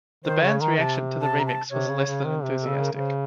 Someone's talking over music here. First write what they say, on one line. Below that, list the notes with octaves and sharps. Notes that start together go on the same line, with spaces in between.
The band's reaction to the remix was less than enthusiastic.
D#3 C5
C#3 C#5
D#3 A#5
C3 A5
A5
A#5
A5
C3 C#5
C#3
C#3
D#3
C3 C5
A4
C#3
A#4
C#3
C5